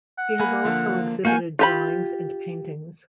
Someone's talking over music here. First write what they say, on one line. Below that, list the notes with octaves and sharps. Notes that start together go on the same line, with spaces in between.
He has also exhibited drawings and paintings.
F#5
A#3 G#5 B5
D3 F3
A#3 F#4 F5 G#5 G6
F4 G4 B5